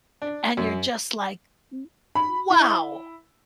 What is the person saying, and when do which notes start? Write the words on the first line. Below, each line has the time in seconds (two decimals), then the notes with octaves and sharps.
and you're just like, "W wow!"
0.22 D4
0.57 F#2
2.15 B5
2.50 E4